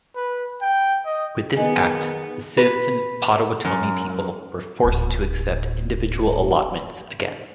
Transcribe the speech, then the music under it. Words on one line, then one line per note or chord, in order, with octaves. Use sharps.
With this Act, the Citizen Potawatomi people were forced to accept individual allotments again.
B4
G5
D#5
D#3 B3 G#4 D#5 G#5
B4
F#2
D1 A1